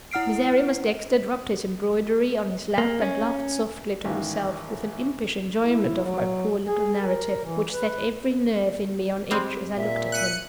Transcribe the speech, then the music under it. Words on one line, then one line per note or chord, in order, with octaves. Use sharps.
Miserrimus Dexter dropped his embroidery on his lap, and laughed softly to himself, with an impish enjoyment of my poor little narrative, which set every nerve in me on edge as I looked at him.
E4 F#5 F6 C7 D7
A#3
C#4
A1 G#2 D#3 F5
E4
F#3
G#4
A#4
E3
B4
G3 G#3 C4
A#2 E5
F#6 C#7 D#7